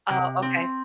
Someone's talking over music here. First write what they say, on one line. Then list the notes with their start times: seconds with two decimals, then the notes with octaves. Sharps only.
Oh, okay.
0.10 C3
0.42 C4